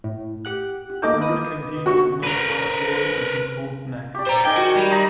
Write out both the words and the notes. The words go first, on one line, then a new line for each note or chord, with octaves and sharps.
The route continues northwestward into Colts Neck.
A2
G4 F#5 F#6
A#3 D#4 A4 D#5 D6 G6
A#3 B4 D#6
F#4 C#6
A#4 B4
G4 D5
C5 A#5
D#3 G5 G#5
F#4
G3
D#5 A#5 B5